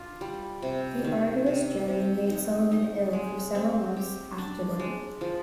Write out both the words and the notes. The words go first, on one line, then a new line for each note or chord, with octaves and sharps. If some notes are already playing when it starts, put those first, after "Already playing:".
The arduous journey made Sullivan ill for several months afterward.
Already playing: D4 F4
G3
C3
D#3
C3
C3
D#4
D#4
G#3
C4
G4
D4
G#3
F3